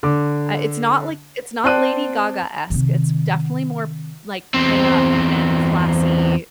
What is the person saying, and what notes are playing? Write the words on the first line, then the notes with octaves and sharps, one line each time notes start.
uh, it's not, like It's not Lady Gaga-esque, it's m definitely more, like, pin-up and classy.
D3 D6
C4 D5 G5 A5 F#6 D#7
C3 D#3
E2 C4